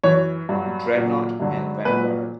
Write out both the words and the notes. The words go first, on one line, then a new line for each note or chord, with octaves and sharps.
"Dreadnought" and "Vanguard".
F#2 E3 C#5
G2 F#3
A#2 F#3
G2 D3 F#3
A#2 F#3 B4